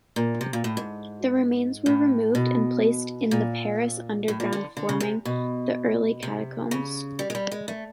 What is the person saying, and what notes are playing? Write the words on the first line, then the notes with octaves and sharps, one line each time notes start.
The remains were removed and placed in the Paris underground forming the early Catacombs.
A#2
C3
A#2
A2
G#2
A2
B2
A#2
A2
A#2
D3
D3
C#3
C3
B2
C3
C#3
G3
G#3
G3
G#3
A3